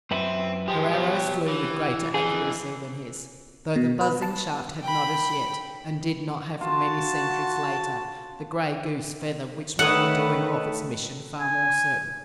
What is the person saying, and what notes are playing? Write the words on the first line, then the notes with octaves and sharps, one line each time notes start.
Her arrows flew with greater accuracy than his, though the buzzing shaft had not as yet, and did not have for many centuries later, the "gray goose" feather which made the doing of its mission far more certain.
F#2 C4 B4 E5
F3 G#3 G4
B2 F#3
E3
F2 E3 G#4
B2
B4
A5
G5 B5
F4 F#4 A5
D#3 A3 A4 B4 C#5 F#5 D#6
G#5